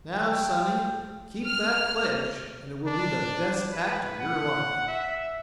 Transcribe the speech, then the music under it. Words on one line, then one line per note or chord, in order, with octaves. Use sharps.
"Now, Sonny, keep that pledge and it will be the best act of your life."
G5
F6
D4
B4
F#5
E5